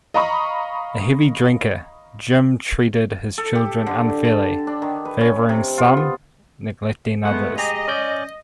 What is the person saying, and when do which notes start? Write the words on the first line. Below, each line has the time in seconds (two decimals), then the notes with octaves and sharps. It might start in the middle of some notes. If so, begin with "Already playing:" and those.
A heavy drinker, Jim treated his children unfairly, favouring some, neglecting others.
0.14 D#5 F5 A#5 B5 C#6 D#6
3.38 A4
3.55 G4
3.86 D3
4.25 A5
4.67 D4
4.82 D#3
5.05 B4
5.21 C#4
5.49 C3
5.78 F4
5.97 B3
7.25 G#3 A3 B3 F#5
7.58 G4 G#4 D#5 A#5
7.88 C#4 D5 G6